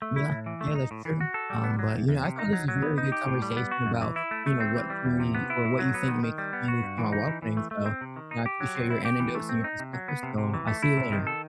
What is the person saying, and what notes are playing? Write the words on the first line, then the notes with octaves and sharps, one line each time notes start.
Yeah, yeah, that's true, um, but, you know, I thought this was a very good conversation about, you know, what community or what you think makes a community feel more welcoming, so, you know, I appreciate your anecdotes and your perspective, so I'll see you later.
A3
E4
A2
E3
A3
D#4
A2
E3
F#4
A4
G3
B3
F#3
E2
E2
C3
D#4
F#3
F#3
B3
D#4
G4
A2
G3
B3
F#4
F#2
E3
E4
A3
A3
C4
E3
G3
E2
C3
B3
E4
A2
F#3
B3
D#3
D#3
G3
B3
F#4
G2
E3
D#4
E3
E3
A3
A3
C4
C3
D#3
D#4
G4
F#3
C4
E4
G4
E3
A3
C4
D#4
C3
F#3
B3
C3
C3
E3
A3
E4
C3
D#3
A4